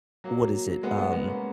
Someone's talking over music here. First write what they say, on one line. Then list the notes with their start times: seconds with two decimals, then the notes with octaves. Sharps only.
What is it? Um,
0.24 F#3 A#3
0.83 G#3 B3
0.98 G#3 B3
1.12 G#3 B3
1.27 A#3 C#4